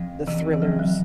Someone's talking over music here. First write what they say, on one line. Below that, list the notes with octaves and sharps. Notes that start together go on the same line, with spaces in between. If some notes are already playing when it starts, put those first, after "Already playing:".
the thrillers,
Already playing: F2
C3 E3
E3
F2 F3
F#3